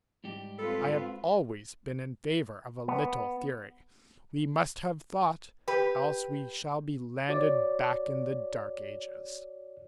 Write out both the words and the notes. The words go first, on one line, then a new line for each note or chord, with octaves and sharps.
I have always been in favor of a little theory: we must have Thought; else we shall be landed back in the dark ages.
G#2 G3 G4
C4 F4 A4 B4
B3
G4 B4
F#4 C#5 D5